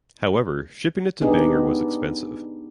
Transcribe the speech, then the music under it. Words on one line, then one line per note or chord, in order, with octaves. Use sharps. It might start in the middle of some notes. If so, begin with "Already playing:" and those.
However, shipping it to Bangor was expensive.
B3 D4 D#4 G4 G#4